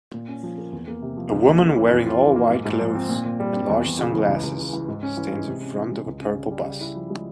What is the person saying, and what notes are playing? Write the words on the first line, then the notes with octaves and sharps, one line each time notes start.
A woman wearing all white clothes and large sunglasses stands in front of a purple bus.
A#2
C#4
F3
A#3
E2
A#3
C3
F3
C#2
A#3
C#3
E3
F2
F4
E3
A#3
G#2
G#2
F3
C4
A#2
A#2
G3
C4
E2
E2
C#3
E3
C#2
C#2
C#3
E3
G#2
C#4
E3
G#3
C3
C#4
E3
G#3
C#2
C#4
C#3
G3
C#3
E4
F3
G#3